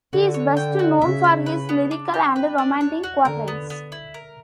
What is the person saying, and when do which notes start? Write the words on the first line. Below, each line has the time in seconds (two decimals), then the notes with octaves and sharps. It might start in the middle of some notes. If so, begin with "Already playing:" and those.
He is best known for his lyrical and romantic quatrains.
0.12 D3 F#4
0.34 C#5
0.57 G5
0.79 F#4
1.02 C#3 E5
1.24 E4
1.46 B4
1.69 B3
1.91 D4
2.14 G4
2.36 B4
2.58 D4
2.81 C#5
3.03 F#4
3.25 D3 A#4
3.48 B3
3.70 B3
3.92 E4
4.14 A#4